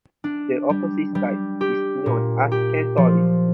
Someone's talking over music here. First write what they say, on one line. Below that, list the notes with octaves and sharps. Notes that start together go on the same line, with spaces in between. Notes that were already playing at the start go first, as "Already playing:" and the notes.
The opposite side is known as Cantoris.
D4
G3
G3
G4
A#2
G4
F3